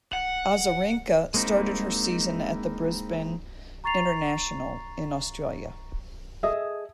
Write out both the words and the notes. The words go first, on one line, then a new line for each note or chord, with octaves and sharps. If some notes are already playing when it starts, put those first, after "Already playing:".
Azarenka started her season at the Brisbane International in Australia.
F#5
G#3 A#3 C4 D#4 E4
A#5 C#6 A6 C7 F7
G#4 A4 D#5 E5